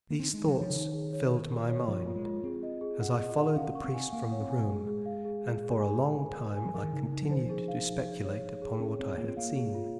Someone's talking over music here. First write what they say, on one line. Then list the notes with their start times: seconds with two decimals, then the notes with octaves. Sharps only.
These thoughts filled my mind, as I followed the priest from the room; and for a long time I continued to speculate upon what I had seen.
0.11 A#3
0.19 C4 D#4
0.33 G#3 D#4
0.47 F#3
0.57 F3 C#5
0.70 C#3
0.76 D#3 D#4
0.94 G#4
1.13 C#5
1.32 A#4
1.50 A#4
1.69 C#5
1.88 F3 F4
2.07 A#3 F4
2.16 G#3
2.25 F4
2.44 C4 G#4
2.63 D#5
2.81 G#4
3.01 F#5
3.19 D#5
3.38 F#5
3.56 C#4 F5
3.75 C#6
3.84 C4
3.94 G#5
4.12 A#3 F5
4.32 C#5
4.40 C4
4.50 G#5
4.68 G#3 G#4
4.87 G#4
5.06 F5
5.25 G#4
5.44 G#4
5.63 G#4
5.80 G#5
6.00 G#5
6.18 A#4
6.37 A#4
6.56 G#5
6.66 F#3
6.74 F3 A#4
6.84 D#3
6.93 C#3 D#4
7.12 D#4
7.22 F#3
7.29 F3 C5
7.37 D#3
7.46 F3 G#4
7.68 F5
7.87 D#4
8.05 G#4
8.24 C#5
8.43 C#5
8.62 G#4
8.80 C#4 G#4
8.99 C4 C#5
9.18 A#3 F4
9.28 C4
9.37 A#3 F5
9.56 G#4
9.74 F4